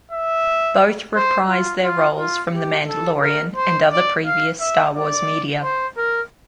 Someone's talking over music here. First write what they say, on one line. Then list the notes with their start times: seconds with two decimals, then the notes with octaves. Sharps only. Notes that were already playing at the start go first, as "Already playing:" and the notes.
Both reprise their roles from "The Mandalorian" and other previous "Star Wars" media.
0.12 E5
1.16 C5
1.49 F4
1.84 F4
2.18 F4
2.52 G4
2.87 A4
3.21 A#4
3.56 C5
3.91 D5
4.26 F5
4.60 E5
4.95 D5
5.63 C5
5.97 A#4